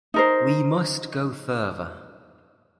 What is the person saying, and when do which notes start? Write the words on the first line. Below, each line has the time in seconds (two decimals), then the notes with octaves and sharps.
We must go further.
0.14 D#4 A#4 C5